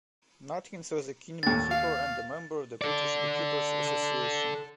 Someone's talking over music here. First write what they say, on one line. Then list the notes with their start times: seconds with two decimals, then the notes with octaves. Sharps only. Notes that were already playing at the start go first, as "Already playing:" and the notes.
Nutkins was a keen beekeeper and a member of the British Beekeepers' Association.
1.43 D#2 D3 A6
1.71 F5
2.82 A4 D5